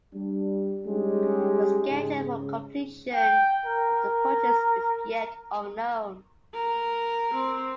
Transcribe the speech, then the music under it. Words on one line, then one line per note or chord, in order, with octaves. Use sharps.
The schedule for completion of the purchase is yet unknown.
G3 D4
G3 G#3 C#4 D#4 G4
G#2 C#3
G5
A#4
A#4
C4